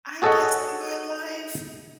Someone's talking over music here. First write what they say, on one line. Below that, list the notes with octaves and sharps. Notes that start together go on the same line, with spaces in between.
I guess, in my life,
F#4 G#4 A4 C#5 D#5 F#5